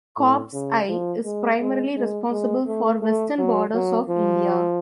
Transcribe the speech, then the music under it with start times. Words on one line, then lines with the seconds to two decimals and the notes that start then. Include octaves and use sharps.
Corps I is primarily responsible for western borders of India.
0.18 A2
0.53 C#3
0.89 F3
1.25 G#3
1.60 G#3
1.96 G#3
2.31 G#3
2.67 A3
3.02 A3
3.38 F#3
3.74 F#3
4.09 F3